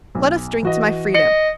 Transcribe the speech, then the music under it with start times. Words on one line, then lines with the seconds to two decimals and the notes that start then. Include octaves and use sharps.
Let us drink to my freedom.
0.15 B1
0.63 E3 F#4 D#5
1.15 D#5 C#7